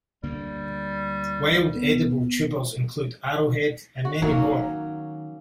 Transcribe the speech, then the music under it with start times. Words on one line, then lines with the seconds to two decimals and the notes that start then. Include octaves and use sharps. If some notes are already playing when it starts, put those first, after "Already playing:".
Wild edible tubers include arrowhead, and many more.
0.23 D2 D3 G3 A#3
1.76 B3
4.05 F#4
4.22 D#3 F#3 A#3 C#4